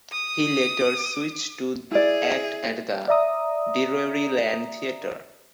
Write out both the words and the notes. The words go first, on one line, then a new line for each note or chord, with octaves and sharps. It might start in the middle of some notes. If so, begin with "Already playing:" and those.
He later switched to act at the Drury Lane Theatre.
D#6
E4 G#4 D5
D5 E5 A#5 D#6